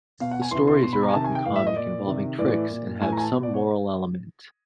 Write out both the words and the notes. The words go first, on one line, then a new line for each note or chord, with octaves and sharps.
The stories are often comic, involving tricks, and have some moral element.
B2 F5
F#5
G#5
C3 E3 C6
C6
B2 C6
B5
A#5
G#5
C3 D#3 A5
G#5
G5
A2 E3 F5
E5
D#5
A#2 D5
C3 D#3
A2 E3 D5
A#2
A2 E3 G#5
A#5
G#5
A5
B2
D5
C#5